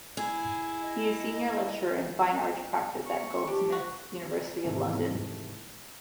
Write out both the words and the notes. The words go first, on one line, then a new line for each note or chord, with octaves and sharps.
He is a Senior Lecturer in Fine Art Practice at Goldsmiths, University of London.
E4 G#4
D#5
C#6
D4 G4
F#4
G#2 C3 D#3 E3 A3